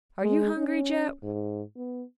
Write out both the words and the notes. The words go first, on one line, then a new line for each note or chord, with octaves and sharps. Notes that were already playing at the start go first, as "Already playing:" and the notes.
"Are you hungry, Jap?"
G#3
C#4
G#2
B3